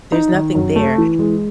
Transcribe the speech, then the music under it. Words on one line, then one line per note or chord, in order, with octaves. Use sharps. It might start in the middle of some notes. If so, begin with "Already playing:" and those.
there's nothing there.
D#4
D#3
F#2
A3
E3
G#3